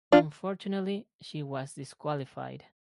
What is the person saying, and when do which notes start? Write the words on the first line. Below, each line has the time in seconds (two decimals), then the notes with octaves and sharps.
Unfortunately she was disqualified.
0.12 D4 F4